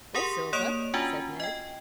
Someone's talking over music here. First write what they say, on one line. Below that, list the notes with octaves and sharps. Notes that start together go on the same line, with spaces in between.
"Or silver," said Ned.
G4 G#4 A#4 F#5 C6 D#6
A#3 C#5 D5 D#6 D7 F7
C#4 D4 F4 F#4 F#5 G#5
D#5 G5